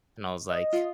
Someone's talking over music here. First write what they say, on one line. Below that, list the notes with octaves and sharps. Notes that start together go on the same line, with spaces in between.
and I was like
D#5
F4